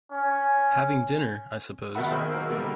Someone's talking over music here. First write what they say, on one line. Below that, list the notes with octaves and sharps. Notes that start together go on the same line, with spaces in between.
Having dinner, I suppose.
C#4
D#2 B2 A#4 E5 F#5 B5
D#3 G#4 A#4 C5
F#3 A#3 F5 E6
B2 D3 G3 A#3